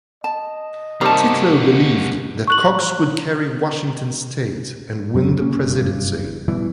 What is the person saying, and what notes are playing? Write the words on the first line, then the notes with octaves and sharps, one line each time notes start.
Titlow believed that Cox would carry Washington state and win the presidency.
D#5 A5
C3 D#3 G3 A#3 F#4 A5 A#5
C#6 F#6 F#7
F#2 F#3 B3 C4
A#3 C#4
F#1 G2
A1 B2 E3 G3